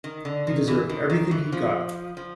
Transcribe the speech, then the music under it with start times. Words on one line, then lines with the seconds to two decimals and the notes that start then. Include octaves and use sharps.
He deserved everything he got!
0.04 D#3
0.25 D3
0.47 D#3
0.67 E3
0.90 D#3
1.10 D#3
1.31 E3
1.52 F3
2.17 F3